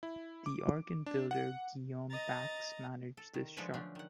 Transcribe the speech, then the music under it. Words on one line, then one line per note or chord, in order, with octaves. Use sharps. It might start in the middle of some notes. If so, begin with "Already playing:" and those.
The organ builder Guillaume Bax managed this shop.
E4
D6
D4
F#5
D#5 A#5 A6
A4
D#3
D3 F3 G#3 A4 B4 C#5
D3 F3 F#3 A3 C#4 D4
D#3 F#5